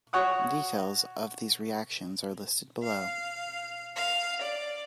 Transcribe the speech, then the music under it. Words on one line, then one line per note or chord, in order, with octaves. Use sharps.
Details of these reactions are listed below.
F#4 C#5 F#5 D#6
F5
F5
D5